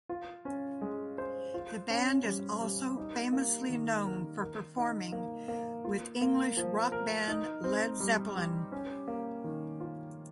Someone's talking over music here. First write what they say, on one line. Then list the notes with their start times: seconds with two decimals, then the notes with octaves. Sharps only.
The band is also famously known for performing with English rock band Led Zeppelin.
0.09 F4
0.45 C#4
0.81 G#3
1.18 C5
1.54 F4
1.90 C#4
2.25 G3
2.61 G3
2.97 D#4
3.33 A#3
3.69 D#3
4.06 A#4
4.41 A#4
4.77 D#4
5.12 A#3
5.48 A#3
5.84 F4
6.21 A#3
6.57 F3
6.92 A#4
7.28 D#4
7.64 C4
8.00 G3
8.36 G4
8.72 C#4
9.08 A#3
9.44 D#3
9.80 F4